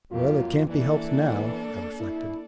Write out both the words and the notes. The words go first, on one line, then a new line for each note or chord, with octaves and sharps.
"Well, it can't be helped now," I reflected.
F2 F#3 A#3 F4 G4
E3 A#3 D4 A4
E4